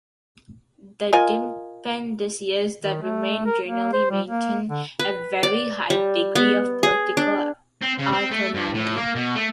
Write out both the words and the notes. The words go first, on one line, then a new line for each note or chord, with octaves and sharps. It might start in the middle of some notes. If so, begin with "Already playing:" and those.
The dependencies that remain generally maintain a very high degree of political autonomy.
F4 A#4 D#5 G#5
D#3
A3
A#4
A#3
C5
G3
A#3
D3
B4
D5
G3
B3
G#4
D4
C4
C#3
C4
A3
G2
A2
A#3
B2
A3